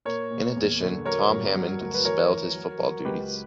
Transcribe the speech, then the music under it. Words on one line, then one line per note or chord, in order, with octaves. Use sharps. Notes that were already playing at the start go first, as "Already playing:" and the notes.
In addition, Tom Hammond spelled his football duties.
A#2 A#4 C#5
A#2
E2
D3
F#3 A#4 C#5
G2
F#3
D2
B4
E3 A#4 C#5
E3
F#3
F#3
C#2 G4 B4